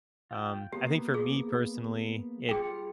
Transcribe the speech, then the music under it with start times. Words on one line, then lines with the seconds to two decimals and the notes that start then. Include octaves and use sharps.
Um, I think for me personally, it
0.31 F4 G5
0.73 A#3 B3 G4
1.14 G#4
2.49 G3 F4 G#4 G5